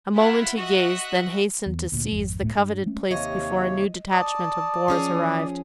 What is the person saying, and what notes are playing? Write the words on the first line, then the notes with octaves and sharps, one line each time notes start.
A moment he gazed, then hastened to seize the coveted place before a new detachment of bores arrived.
E4 F4 E5 F#5
F#4 D#5 E5 F#5
E2
D2 A#2
G#1 F2
D1 G1 A2 A3
G2
G#3 A3 C#4
D#2 C3 C#5 D#5 F5
D5 A5 D#6
F3 C#4 G#4